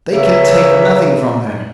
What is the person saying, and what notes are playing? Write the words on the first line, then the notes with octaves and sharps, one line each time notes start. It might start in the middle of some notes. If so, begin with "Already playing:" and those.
"They can take nothing from her."
C#3 A#3 B4 C#5 E5